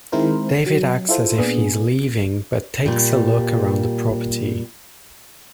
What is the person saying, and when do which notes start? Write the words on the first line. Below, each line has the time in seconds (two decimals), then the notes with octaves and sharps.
David acts as if he is leaving but takes a look around the property.
0.12 D#3 G#3 C4 E4 A#4 C5
0.66 F#3
1.09 E4 F4 A4 C5
1.38 A#2 B3 D4 G#4
2.86 A#2 G3